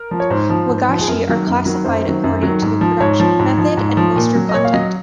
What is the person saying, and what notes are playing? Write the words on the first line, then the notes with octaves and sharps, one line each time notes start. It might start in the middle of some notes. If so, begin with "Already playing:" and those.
"Wagashi" are classified according to the production method and moisture content.
Already playing: A#4
F3
C#5
G#2 C5
F3
G#2
F3
G#4
F#2 A#4
D#3 F#3
F#2
D#3 F#3
F#2 C5
D#3 F#3
F#2
D#3 F#3
G#2
F3
G#2 C#5
F3
G#2
F3
G#2
F3
A#2
F#3
D#5
A#2 C#5
F5
F#3 D#5